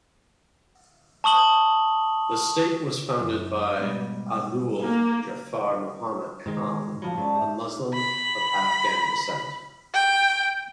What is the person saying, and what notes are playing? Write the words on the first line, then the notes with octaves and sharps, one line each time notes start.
The state was founded by 'Abdu'l Ghafur Muhammad Khan, a Muslim of Afghan descent.
A5 C#6 D#6 F#7 G7
F#2
G#2 B2 G3
A#3 D#4 G#5 A#5
G#2 D#3 G#3
A1 F3 F#3 F5 A5 B5
G#2 C#4 D5 A5
G4 E5
B5
G5